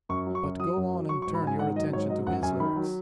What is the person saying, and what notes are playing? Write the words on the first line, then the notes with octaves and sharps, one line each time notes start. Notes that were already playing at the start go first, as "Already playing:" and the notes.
But go on and turn your attention to his lyrics.
F#2 C#6
F#3
C#6
F#2
F#3 D#6
F#2
F#3
F#3 C#6
C#6
G#2
B5
G#2 G#5
D#3 F#5
F#3 D#5
G#2 C#5
F#3 D#5
F#2 F#5
F#2 G#5
D#3 B5
F#3